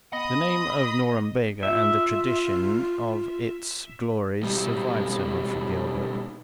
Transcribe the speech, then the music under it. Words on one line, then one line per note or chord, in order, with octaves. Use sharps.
The name of Norumbega and the tradition of its glories survived Sir Humphrey Gilbert.
B3 D#5 B5 D#6
F4 E5
B1 G3